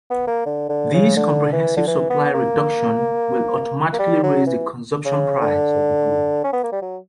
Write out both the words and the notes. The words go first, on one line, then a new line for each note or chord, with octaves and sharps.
This comprehensive supply reduction will automatically raise the consumption price of the good.
B3
A#3
D3
D3
C#3
D3
E3
D3
E3
B3
A#3
A#3
G3
F#3
E3
C#3
D3
C#4
B3
A#3
G3
F#3